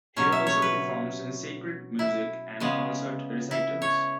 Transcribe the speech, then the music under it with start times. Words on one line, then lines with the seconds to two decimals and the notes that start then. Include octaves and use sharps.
He also performs in sacred music and concert recitals.
0.16 B2 F#3 C#4 C#5
0.32 E5
0.47 C#5
0.62 B4
1.99 E4
2.60 C#3 G#3 B3
3.51 E4
3.82 C#5